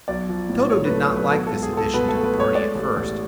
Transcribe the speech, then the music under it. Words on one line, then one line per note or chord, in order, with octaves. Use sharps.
Toto did not like this addition to the party at first.
B1 D5
F3
A2
B1 C#5
B4
A3
C#5
B1
B4
B2 A4
A4
C#2
G#4
C#2
A4
B2 B4
A4
A3
B4
A3
C#5
G#3 D5
A1
A1